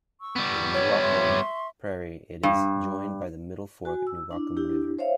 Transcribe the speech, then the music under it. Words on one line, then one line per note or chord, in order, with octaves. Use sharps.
In Newaukum Prairie it is joined by the Middle Fork Newaukum River.
C#6 E6
G3 B3
C#5
E5 C6 C#6
G2
F#4 G#5
E6
D4 E4
D4 E4 G4
C5 C#5 E5 F5